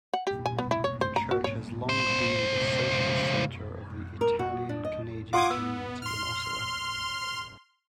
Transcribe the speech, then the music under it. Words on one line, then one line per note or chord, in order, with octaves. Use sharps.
The church has long been the social centre of the Italian-Canadian community in Ottawa.
F#5
G4
G#5
B3
E4
C#5
C5
A#5
F#4
C#5
C#2 C5
A#4
F#4
D4
D#5
F4 F#5 C6 D6 D#6 G#6
B3 E6
C6 F6